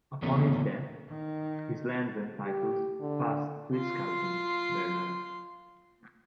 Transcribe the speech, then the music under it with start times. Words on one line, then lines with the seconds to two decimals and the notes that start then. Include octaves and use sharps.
Upon his death, his lands and titles passed to his cousin, Bernard.
0.22 E2 A#2 A3 B3 C#4 D#4
1.09 D#3
2.45 G4
3.00 D3
3.76 F4 C6